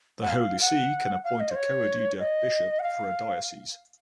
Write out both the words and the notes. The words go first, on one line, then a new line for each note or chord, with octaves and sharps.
The Holy See can appoint a coadjutor bishop for a diocese.
F#5
F5
F#5
F5
D#5
C5
C#5
D#5
F#5
F5